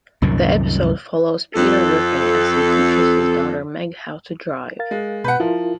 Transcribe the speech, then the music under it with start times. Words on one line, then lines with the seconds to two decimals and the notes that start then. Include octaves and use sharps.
The episode follows Peter Griffin as he teaches his daughter Meg how to drive.
0.22 C2 F#2 A#2 D#3
1.55 F2 A4
4.79 A#4 F5 A6
4.91 G#3
5.24 B2 B4 F#5 G6
5.40 F3 E4 F4 A#4